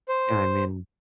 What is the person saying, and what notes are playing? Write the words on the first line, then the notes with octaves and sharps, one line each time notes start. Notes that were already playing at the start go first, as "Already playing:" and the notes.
Yeah, I mean
C5